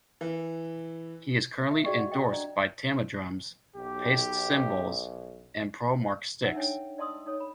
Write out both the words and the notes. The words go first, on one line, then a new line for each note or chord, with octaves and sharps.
He is currently endorsed by Tama drums, Paiste cymbals and Pro-Mark sticks.
E3
E5
F#4 G#4 D5 D#5 G5 C#6
F#5
A4 C5 D#5 G5
C#4 D4 D5 D#5 A#5
B1 G4
D#4 A#4 E5 F#5
D4 D#4 C#5 G5 G#5
D5 D#5 A5 C6 D#6 E6
D#4 A4 C#5
B5